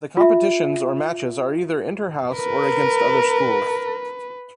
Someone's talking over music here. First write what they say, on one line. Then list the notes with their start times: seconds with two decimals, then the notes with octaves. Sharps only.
The competitions or matches are either 'interhouse' or against other schools.
0.17 F4 E5
2.35 A#4 B4